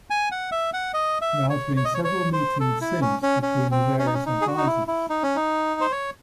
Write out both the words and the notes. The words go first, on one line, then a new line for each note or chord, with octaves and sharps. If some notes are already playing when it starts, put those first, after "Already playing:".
There has been several meetings since between the various advisers.
G#5
F#5
E5
F#5
D#5
E5
C#5
C#5
D#5
C#5
C#5
C5
A4
E4
C#4
C#4
C#4
C4
C#4
D#4
C#4
D#4
G#4
F#4
D#4
E4
E4
D#4
C#4
D#4
C5
C#5